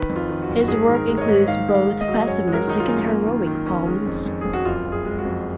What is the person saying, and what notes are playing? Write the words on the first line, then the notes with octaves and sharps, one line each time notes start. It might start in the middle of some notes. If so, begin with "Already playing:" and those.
His work includes both pessimistic and heroic poems.
Already playing: D#3 B4
F2
F4
D#3
F#4
F#1
F#4
G#2 G#4
D#3
A#4
G#3
C#5
D#5
G#2
D#3 F5
G#2
F5
G#2
D#5
F#3
F#2 C#5
G#3
A#4
D#3 D#4
F4
F#2
A#3
D#3
D#3
C#4
G#3
F2
F2
F2 G#4
F#4
F#1 F4
F#1
G#4
G#3
F#4
F2